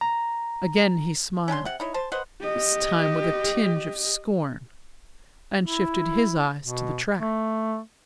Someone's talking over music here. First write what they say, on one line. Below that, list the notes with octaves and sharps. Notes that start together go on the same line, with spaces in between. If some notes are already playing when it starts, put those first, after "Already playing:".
Again he smiled, this time with a tinge of scorn, and shifted his eyes to the track.
A#5
C#4 D4 G#5 C6
C3 F#5
D#4 E4 C#5
C5 A5
B4 C5 D#5 F#5
G4 D#5
E4
B2
A3